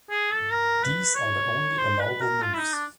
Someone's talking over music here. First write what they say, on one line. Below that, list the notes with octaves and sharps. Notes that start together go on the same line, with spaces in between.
These are the only allowable moves.
G#4
A4
A#4
B4
C#5
C5
B4
A#4
F4
E4
D#4
D4